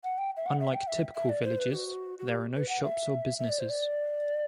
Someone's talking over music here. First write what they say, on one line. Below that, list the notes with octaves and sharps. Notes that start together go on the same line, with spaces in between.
Unlike typical villages, there are no shops or businesses.
F#5
G5
E5
F#5
E5
G5
E5
E5
D5
C5
B4
G4
F#4
F#4
G4
B4
F#5
E5
E5
D5
C5
D5